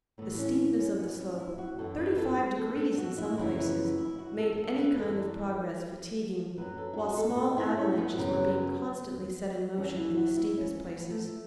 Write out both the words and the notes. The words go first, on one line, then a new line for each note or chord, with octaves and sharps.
The steepness of the slope--thirty-five degrees in some places--made any kind of progress fatiguing, while small avalanches were being constantly set in motion in the steepest places.
A2 E3 B3
C#4
C#4
B3
C#4
E4
F#4
F#2 E3 A4
B4
A4
A4
A4
F#4
E4
F#4
F#2 C#3 E3 E4
B3
E4
F#4
A4
A4
B4
F#2 E3 A4
F#2 F#3 B4
A4
E4
F#4
A4
F#4
A4
E4
C#4
B3
F#2 C#3 F#3
E2 E3 C#4
E4
F#4
E4
C#4
B3
A3